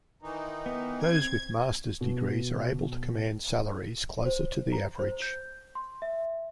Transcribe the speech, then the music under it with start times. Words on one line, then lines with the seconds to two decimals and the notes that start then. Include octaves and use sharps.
Those with master's degrees are able to command salaries closer to the average.
0.22 D#3 E3 D#4
0.66 B3
1.04 C4 G#6
2.01 B2
4.25 C5
4.73 A#5
4.99 C5
5.22 G6
5.75 C6
6.02 E5